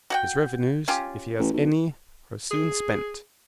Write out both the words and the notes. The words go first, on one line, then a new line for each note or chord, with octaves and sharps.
His revenues, if he has any, are soon spent.
F#4 F#5 G5
C#4 F4 G4
A1
B1
G#4